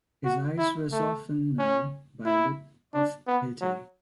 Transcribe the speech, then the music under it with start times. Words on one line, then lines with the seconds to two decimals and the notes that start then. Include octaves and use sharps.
His eyes were softened now by a look of pity.
0.25 F#4
0.58 E4
0.92 A3
1.59 C#4
2.26 E4
2.94 D4
3.27 B3
3.61 F#3